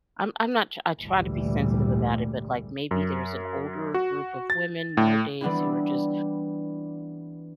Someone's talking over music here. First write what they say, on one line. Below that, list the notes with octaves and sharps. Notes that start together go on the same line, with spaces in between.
I'm I'm not I try to be sensitive about it, but, like, maybe there's an older group of women more days, who are just
G#1 D2 A#2 E3 G3
F#2
F#4
A6
A2
E3 G3 B3 C4 D4 E4